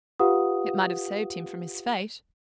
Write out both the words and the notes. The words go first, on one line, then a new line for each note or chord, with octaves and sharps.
"It might have saved him from his fate."
F4 G4 B4 F5 F#5 D#6